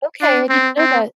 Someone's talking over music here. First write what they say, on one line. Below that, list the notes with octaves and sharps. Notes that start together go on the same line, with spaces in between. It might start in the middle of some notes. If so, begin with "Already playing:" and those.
Okay, I didn't know that.
D4
C4
C4